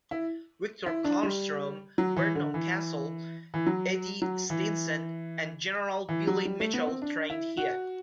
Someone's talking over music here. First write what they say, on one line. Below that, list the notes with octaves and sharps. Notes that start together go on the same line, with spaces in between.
Victor Carlstrom, Vernon Castle, Eddie Stinson and General Billy Mitchell trained here.
E4
E4
D4
G3
F#3
E3
D3
E3
E3
F#3
F#3
E3
E3
F#3
G3
A3
B3
C4
D4
E4
F#4